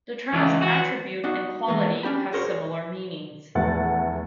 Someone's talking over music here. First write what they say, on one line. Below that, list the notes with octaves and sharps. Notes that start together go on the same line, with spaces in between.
The terms attribute and quality have similar meanings.
C#2 E3
F#4
B3 D4 D#4 F#4 D#5 F#5
E3 G#3 A#3 B3
C#4 D4 G4 B5
F#4 G#4 A#4 C5 C#5
A#1 E2 A3 F#5 A6